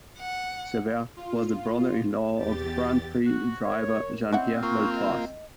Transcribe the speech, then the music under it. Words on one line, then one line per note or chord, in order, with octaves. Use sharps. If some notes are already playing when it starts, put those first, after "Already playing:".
Cevert was the brother-in-law of Grand Prix driver Jean-Pierre Beltoise.
F#5
F4
E2 G4 A6
F#4
A#4 C#5
C4 C#4 E4 D#5 F#5
A#3 F4 C#6
D#5